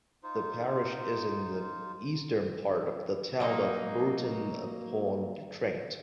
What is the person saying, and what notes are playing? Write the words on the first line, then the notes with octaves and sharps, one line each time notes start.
The parish is in the eastern part of the town of Burton upon Trent.
D#4 F4 C5
F#3 A#3 D#4